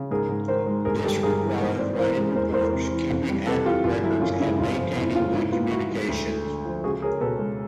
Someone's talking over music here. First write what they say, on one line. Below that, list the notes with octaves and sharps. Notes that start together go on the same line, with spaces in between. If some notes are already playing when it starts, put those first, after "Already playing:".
This requires writing reports, keeping accurate records, and maintaining good communication.
Already playing: C#3
G#2 G#4 A#4
G#2
D#3 A#4 C5
G#3
G1 G#4 A#4
G3 G4 A4
G2 G#4 A#4
E3
G#2 A#4 C5
C4 C5 D5
E3 A#4 C5
G#3
E2 A#4 C5
E2 A#4 C5
C3
E3
F2
G3
C3 A4 B4
E3 F4 G4
G1 F4
F#3 E4
F#2 F4
C#3 E4
G1 F4
F3
F2 E4
C#3 F4
G#2 E4
B3 F4
D#3 E4 F#4
G#3
D2
A3
D3
F3
C#2 F#4 G#4
C#4 G#4 A#4
B2 A4 B4
G#3